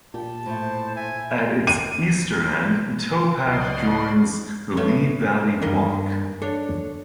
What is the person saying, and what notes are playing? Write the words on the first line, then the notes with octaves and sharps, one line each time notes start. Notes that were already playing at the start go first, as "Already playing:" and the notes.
At its eastern end, the towpath joins the Lea Valley Walk.
A#2 G4 A5
A2 A3 C5
E5 G#5
D#7
C#2 C#3 F#3 F#4 D5 D#5 C6
A3 B3 C#4
G2 D#3 G3 A#3 D4 D#5
D4 A4 C#5